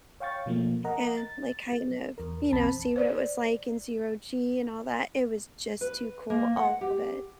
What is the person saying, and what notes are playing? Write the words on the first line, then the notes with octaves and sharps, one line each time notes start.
and, like, kind of, you know, see what it was like in zero G and all that. It was just too cool. All of it.
C#5 F5 G5 C#6 A6
B2 F3 A3 A#3
A#4 D#5 F#5 A#5
A6
E2 A#4
B1 E2 C4 A5 B5
C5 D5
B4
A#3
F#5
G4